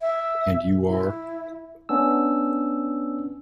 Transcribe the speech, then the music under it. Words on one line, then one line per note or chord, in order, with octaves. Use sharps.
And you are?
E5
E4
B3 C#4 D4 E6